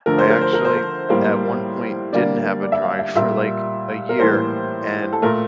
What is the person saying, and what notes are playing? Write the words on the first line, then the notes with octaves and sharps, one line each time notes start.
I actually, at one point, didn't have a dryer for, like, a year, and
D3 F3 A3 A#4
C5
A#4
C5
A#4
C5
A#4
A2 G3 A#3 C5
D3 G3 A#3 D5
D5
E5
F5
E5
A#2 G3 A#3 E5
A#4
A2 E3 G3 A#3 C5
A4
A#2 A3 A#4